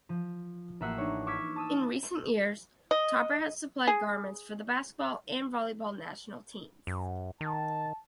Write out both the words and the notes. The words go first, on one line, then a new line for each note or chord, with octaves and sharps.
In recent years, Topper has supplied garments for the basketball and volleyball national teams.
F3
A1 A#3 E5 F#5 E6 C7
D4 D#4 C#5
C#6 D6 E6 F6 G#6 B6
A5 D#6 E6
D#5
G#4
F#2
D#3 A5